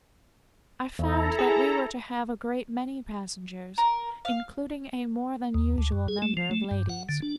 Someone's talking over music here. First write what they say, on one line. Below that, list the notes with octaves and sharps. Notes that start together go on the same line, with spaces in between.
I found that we were to have a great many passengers, including a more than usual number of ladies.
E2 E4 A4 A#5
G#4
A#4
F5
D#2
D2
F#2
G#4
A3
F3
A3
G2
F#5
D3
D4